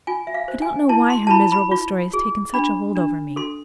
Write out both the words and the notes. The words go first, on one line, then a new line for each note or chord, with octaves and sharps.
I don't know why her miserable story has taken such a hold over me.
F4 G#5
E5
F5
C5
G#5
E4 A5
C6
A5
E4 B5
B5
F4
G#4
D4 B5
D4
A4 C6